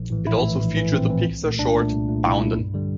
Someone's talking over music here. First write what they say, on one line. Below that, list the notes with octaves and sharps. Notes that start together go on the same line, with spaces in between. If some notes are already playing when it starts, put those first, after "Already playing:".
It also featured the Pixar short "Boundin'".
Already playing: A#1
A2 E3
A#1 E4
A2 E3
A#1
A2 E3
A#1 C4
A2 E3
C2
A#2 A3
C2 D4
A#2 A3
C2
A#2 A3
C2 E4
A#2 A3
G2
D3 G3